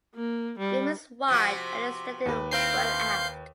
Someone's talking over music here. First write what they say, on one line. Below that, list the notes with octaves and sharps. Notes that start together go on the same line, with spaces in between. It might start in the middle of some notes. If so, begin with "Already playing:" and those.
Beam is wide and is extended well aft.
A#3
G3
C3 F3 F#4
D#2 B4
C4 E4 A#4 F5 G6 C7